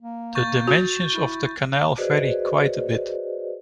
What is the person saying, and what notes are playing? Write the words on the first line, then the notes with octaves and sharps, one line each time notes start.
The dimensions of the canal vary quite a bit.
A#3
C#6 G6 A6
F#4
E4
F#4 G#4 B4 C5 D5 D#5